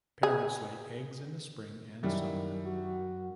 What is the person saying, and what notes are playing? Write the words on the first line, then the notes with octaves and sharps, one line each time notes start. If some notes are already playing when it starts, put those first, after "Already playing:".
Parents lay eggs in the spring and summer.
G#4
F#2 D#3 G3 E4
F#4